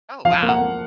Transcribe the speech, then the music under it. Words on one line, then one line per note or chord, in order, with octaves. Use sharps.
Oh, wow.
F3 F5
A#3
F#5
A#3